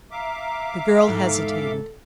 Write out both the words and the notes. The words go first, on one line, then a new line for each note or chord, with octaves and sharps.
The girl hesitated.
E5 F5 A#5 D6
E2 G#2 A4